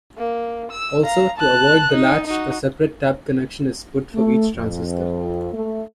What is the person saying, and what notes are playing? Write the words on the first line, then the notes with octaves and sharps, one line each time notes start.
Also to avoid the latch, a separate tap connection is put for each transistor.
A#3
E6
F5 A#5
A5 F#6
D#4
D#4 F#4
A3
F2
A3